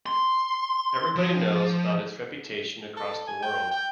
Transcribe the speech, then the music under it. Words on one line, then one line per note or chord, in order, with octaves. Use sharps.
Everybody knows about its reputation across the world.
C6
F3
A4
G#5
G5
G5